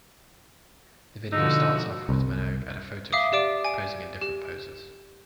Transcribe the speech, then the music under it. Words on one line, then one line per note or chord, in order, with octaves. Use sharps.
The video starts off with Minogue at a photoshoot, posing in different poses.
B2 D3 F3 D#4 F#4 E6
C2
E5 F5 D6 D#6
G4 D5 D6 D7
G#5 D7
G4